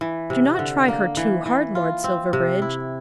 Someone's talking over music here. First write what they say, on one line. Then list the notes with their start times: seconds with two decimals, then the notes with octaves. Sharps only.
Do not try her too hard, Lord Silverbridge.
0.01 E3
0.30 C3
0.59 D3
0.88 A#3
1.17 E3
1.46 E3
1.75 F4
2.04 C4
2.33 C3
2.62 E4